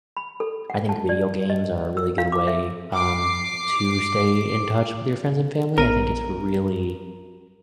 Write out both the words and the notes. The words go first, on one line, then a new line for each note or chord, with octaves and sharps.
I think video games are a really good way, um, to stay in touch with your friends and family, I think it's really,
B5
A4
F#5
A5
D5
D#5
E6
F5
D6
E5
D6 C7
A#1 B3 A#4 D#7